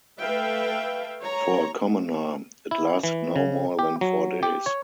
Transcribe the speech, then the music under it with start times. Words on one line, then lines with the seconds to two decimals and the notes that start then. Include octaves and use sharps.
For a commoner, it lasted no more than four days.
0.20 A3 A4 B4 E5 F5 G5
1.20 C#5 A#5
2.71 E4
3.04 E3
3.36 C#3
3.79 G4
4.01 F#3
4.43 G4
4.66 C#5